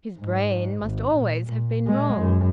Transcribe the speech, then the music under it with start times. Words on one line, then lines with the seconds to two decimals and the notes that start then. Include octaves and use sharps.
His brain must always have been wrong!
0.19 G#2
0.84 G#1
1.14 A#2
1.47 A#2
1.86 A#2 G#3
2.17 F#2